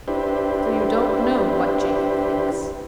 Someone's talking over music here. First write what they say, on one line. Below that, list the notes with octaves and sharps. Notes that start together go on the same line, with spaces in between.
"So you don't know what Jacob thinks?"
D4 E4 G4 B4 C5